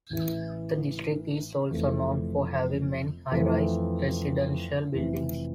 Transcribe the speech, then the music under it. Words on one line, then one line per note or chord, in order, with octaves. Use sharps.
The district is also known for having many high-rise residential buildings.
A1 A2 E3
F1 F2 E3 A3
F2 E3 A3
F1 F2 C3 E3